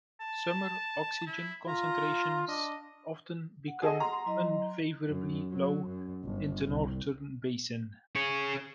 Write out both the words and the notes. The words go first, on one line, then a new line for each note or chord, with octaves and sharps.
Summer oxygen concentrations often become unfavorably low in the northern basin.
A5
E4
F4 A#5
D4 D#5
F#5
G#4 A4 D#5
A#5 C6
F#3 E4 D#5
F#2
F#3
F#2
G1
C2
G#4 C#5